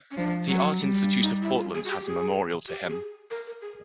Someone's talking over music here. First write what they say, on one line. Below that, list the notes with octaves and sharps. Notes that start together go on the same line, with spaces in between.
The Art Institute of Portland has a memorial to him.
C#4
F3 D4
F#3 C#4
G3
D4
D#4
E4
F4
G#4
F#4
G4
G#4
G4
G#4
A#4
A#4
G#4